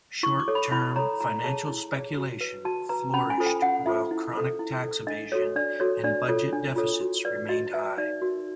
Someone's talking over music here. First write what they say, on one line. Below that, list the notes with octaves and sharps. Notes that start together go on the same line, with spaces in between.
Short-term financial speculation flourished, while chronic tax evasion and budget deficits remained high.
E4 C#6
D6
A4 C#5
B5
E4 B5
A4 C#5 A#5
E4 A#5
G#4 C#5 A5
E4
G#4 C#5
F#4
B4
F#4 A5
B4 A#5
C#4 B5
G#5
F4 A4 C5
G5
C#4 F#5
F4 A4 C5 E5
E4
A4 C5
E4
A4 C5
D4 D#5
F#4 A4 C#5
D4 D5
F#4 A4 C#5
D4 D5
F4 A4 C#5
D4
F4 A4 C#5
F#4
B4 D5
F#4 D#5
B4 E5
D#4 D5
F#4 A#4